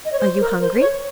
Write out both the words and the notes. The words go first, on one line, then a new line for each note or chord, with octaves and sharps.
"Are you hungry?"
D#5
C#5
C5
A#4
C5
C#5